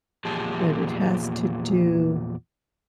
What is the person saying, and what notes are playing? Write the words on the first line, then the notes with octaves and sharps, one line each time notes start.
But it has to do
E2 A#2 F3 G4 G#4 A5